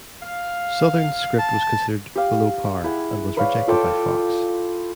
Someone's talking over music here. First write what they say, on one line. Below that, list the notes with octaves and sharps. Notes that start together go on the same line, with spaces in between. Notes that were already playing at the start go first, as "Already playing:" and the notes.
Southern's script was considered 'below par' and was rejected by Fox.
F5
A5
G4 F5
E4 G#4 F#5
B4 C#5 D5 F5
F4 A4 G5 D6